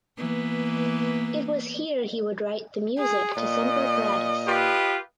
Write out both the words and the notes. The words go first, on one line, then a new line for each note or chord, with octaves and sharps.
It was here he would write the music to "Semper Paratus".
E3 A#3 B3
G#4
A#2 D#5
F4 G4 B4